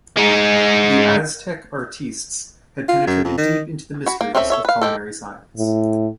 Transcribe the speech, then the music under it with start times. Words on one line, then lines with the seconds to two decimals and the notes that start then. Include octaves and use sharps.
The Aztec artistes had penetrated deep into the mysteries of culinary science.
0.17 G#3 D#4
2.89 F4
3.07 F#2
3.25 F2
3.38 D#3
4.06 F#4 B5
4.21 A#3
4.35 C4 C#4 A4 B4 E5
4.50 A4 C#5 E5
4.65 B4 F5
4.82 G#3 G4 A4
5.57 A2